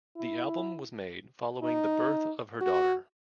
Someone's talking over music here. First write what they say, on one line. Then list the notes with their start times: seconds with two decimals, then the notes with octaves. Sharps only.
The album was made following the birth of her daughter.
0.16 E4
1.63 D#4
2.61 F#4